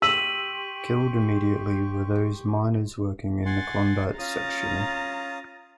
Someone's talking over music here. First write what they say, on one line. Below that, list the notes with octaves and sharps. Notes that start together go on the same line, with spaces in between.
Killed immediately were those miners working in the Klondike section.
G4 C6 C#6 E6 B6 D#7 F#7
F#5 G#5 C6 A6
C#4 F4 A#5 D#6 A6